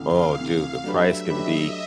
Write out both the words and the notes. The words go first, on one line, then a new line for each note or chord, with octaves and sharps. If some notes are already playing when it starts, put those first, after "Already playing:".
Oh, dude, the price can be
Already playing: D2 C3 E3 F5
D2 C3 E3 F5
F#3 A3 D4 G4 B4 E5
F#3 A3 D4 G4 B4 D#5